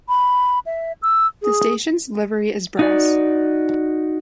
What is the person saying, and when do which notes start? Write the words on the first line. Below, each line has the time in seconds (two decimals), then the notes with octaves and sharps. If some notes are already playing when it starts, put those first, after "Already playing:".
The station's livery is brass.
0.09 B5
0.66 E5
1.02 E6
1.42 G#4
2.79 D#4 F#4 D5